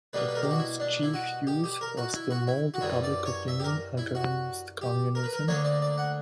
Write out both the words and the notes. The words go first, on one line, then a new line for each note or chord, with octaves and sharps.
The film's chief use was to mold public opinion against communism.
B2 G3 A#3 D4 B4
B4
A#4
G4
F#4
E4
D4
E4
F#4
G4
G4
A#4
F#4
E4
F#4
E4
F#4
F#2 E3 G3 E4
D5
C#5
E5
G4
A#4
E4
F#4
G4
A#4
B4
A#4
D2 D3 A#3 D4 C#5
D5
D5
F#5